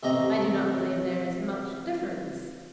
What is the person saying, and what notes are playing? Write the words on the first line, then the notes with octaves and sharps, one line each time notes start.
"I do not believe there is much difference."
A1 C3 D#5 A#5